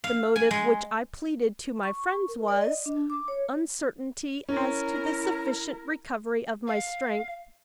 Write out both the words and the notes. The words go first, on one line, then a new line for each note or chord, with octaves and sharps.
The motive which I pleaded to my friends was--uncertainty as to the sufficient recovery of my strength.
F5
G#5
G#3
C#6
A#4
D5
D#5
D4
D6
C#5
C#4 E4 A#4
F5